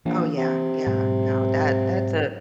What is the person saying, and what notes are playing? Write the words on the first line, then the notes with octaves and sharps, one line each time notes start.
Oh, yeah, yeah, no. That that's a
A#1 E3
C3
G#2 B2 F#3